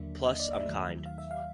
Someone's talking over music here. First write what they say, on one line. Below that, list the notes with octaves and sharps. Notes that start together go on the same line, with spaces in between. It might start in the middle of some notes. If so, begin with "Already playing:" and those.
Plus I'm kind.
Already playing: D#2 D3 F#3 A#3 D4 E5
D#5
D5
E5
D#2 D#3 F#3 A3
F5
E5
F5